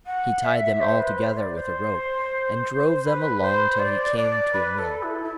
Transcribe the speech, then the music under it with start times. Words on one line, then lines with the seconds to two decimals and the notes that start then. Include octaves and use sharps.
He tied them all together with a rope, and drove them along till he came to a mill.
0.06 F#5
0.43 E5
0.81 C5
0.99 B4
1.18 C5
1.37 D5
1.55 C5
3.04 B4
3.41 C5
3.79 D5
4.16 D5
4.53 B4
4.78 A4
5.03 E4
5.23 E4